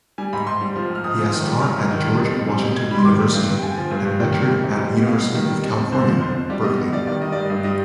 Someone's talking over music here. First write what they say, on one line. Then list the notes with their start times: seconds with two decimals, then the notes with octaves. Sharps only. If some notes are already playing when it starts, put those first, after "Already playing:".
He has taught at George Washington University, and lectured at University of California, Berkeley.
0.18 G3 G#5
0.33 G#2 B5
0.47 G#2 C6
0.61 G3
0.76 F3
0.90 G#2
0.95 F6
1.04 G#2 D#6
1.18 F3
1.33 D#3
1.47 G3
1.62 G#2 F6
1.76 G#2
1.91 D#3
2.05 G3
2.19 F2
2.34 F2
2.48 G3
2.62 B2
2.77 B2 G#6
2.91 G3 B5
2.98 C6
3.05 D#3 D6
3.20 G3
3.34 G2
3.49 G2
3.57 G5
3.63 D3 G#5
3.77 F3
3.91 G2
4.05 G2
4.20 D#3 G5
4.34 G3
4.49 G#2
4.64 G#2
4.77 G3
4.92 B2
5.06 B2 F5
5.20 G3
5.35 D#3
5.49 G3
5.63 F2
5.78 F2
5.92 D3 C5
6.07 F3
6.21 F2 C5
6.35 F2
6.50 G3 D5
6.64 B2 D#5
6.78 B2
6.92 G3 D5
7.07 D#3 D5
7.21 G3 D#5
7.32 G2 D5
7.43 D#5
7.50 G2
7.64 G3 D#5